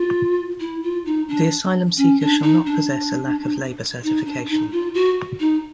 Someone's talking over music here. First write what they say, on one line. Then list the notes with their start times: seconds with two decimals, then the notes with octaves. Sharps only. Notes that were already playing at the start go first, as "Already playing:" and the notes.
The asylum seeker shall not possess a lack of labor certification.
Already playing: F4
0.60 E4
0.83 F4
1.06 D#4
1.29 D4
1.97 C#4
2.20 D4
2.42 D#4
2.66 D4
4.04 D#4
4.26 D4
4.49 D#4
4.72 F4
4.94 F#4
5.40 D#4